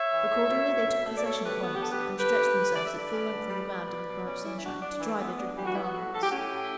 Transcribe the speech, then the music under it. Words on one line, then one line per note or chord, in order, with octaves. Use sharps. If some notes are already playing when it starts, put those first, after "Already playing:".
Accordingly they took possession at once, and stretched themselves at full length on the ground in the bright sunshine, to dry their dripping garments.
Already playing: C#5 E5
E3
A2
B2
B2
B2
A3 E5
D5
B2 A4 C#5
A3 G4 B4
B3 F#4
G4
D3 A4
G4 B4
D3
D3 G4 B4
D3
D3
D3 D5
E5
D3 B4 D5
C#4
D3
G3
G3
B2
B2
C#4
E3 E4
E4
D4 F#4
D4
E3
B3
D4
E3 G4
F#4
B3 E4
F#4
A2
A2 A4
G4
C#4 F#4
E4 G4
A2